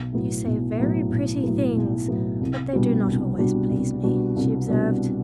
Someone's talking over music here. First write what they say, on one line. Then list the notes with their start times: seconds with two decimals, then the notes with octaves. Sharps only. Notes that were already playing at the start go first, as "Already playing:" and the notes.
"You say very pretty things; but they do not always please me," she observed.
Already playing: B1
0.13 A2 F#3 B3
0.46 B1
0.78 A2 F#3 B3
1.10 B1
1.44 A2 F#3 B3
1.76 B1
2.08 A2 F#3 B3
2.40 C2
2.73 B2 G3 D4 F#4
3.06 C2
3.39 B2 G3 D4 F#4
3.71 C2
4.03 B2 G3 D4 F#4
4.36 C2
4.68 B2 G3 D4 F#4